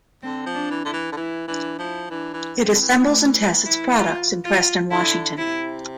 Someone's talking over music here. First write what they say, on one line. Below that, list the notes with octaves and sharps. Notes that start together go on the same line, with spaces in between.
It assembles and tests its products in Preston, Washington.
D3 C4
F3
D4
E3
D3 E4
E3
D3
E3 E4
E3 D4
F3 E4
E3 D4
E3
C4
D3
E3
A3
E4
F4
F4
D3 E4
C3 E4